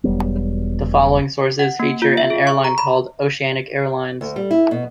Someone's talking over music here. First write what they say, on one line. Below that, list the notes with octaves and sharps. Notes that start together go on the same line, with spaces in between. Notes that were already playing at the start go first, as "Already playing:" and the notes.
The following sources feature an airline called Oceanic Airlines.
E1 F#3 G3 B3
F#5
A#3
F4
E5
G#4
C#6
A#5
B5
D2
G3
E4
B2